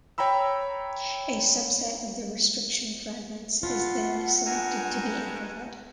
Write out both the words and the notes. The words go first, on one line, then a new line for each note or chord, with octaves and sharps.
A subset of the restriction fragments is then selected to be amplified.
C#5 G5 A#5 B5 E6
B2 F4 F#5
G2 G#5 A#5